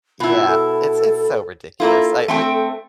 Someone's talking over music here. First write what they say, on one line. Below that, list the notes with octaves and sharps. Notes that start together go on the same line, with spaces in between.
Yeah, it's it's so ridiculous. I we
B2 E4 F4
A4
A#3 E4 F4 A4
A3 C4 G5